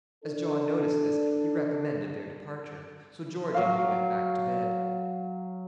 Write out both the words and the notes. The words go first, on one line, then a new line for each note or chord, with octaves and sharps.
As John noticed this he recommended their departure; so George and he went back to bed.
D4 A4
F#3 F5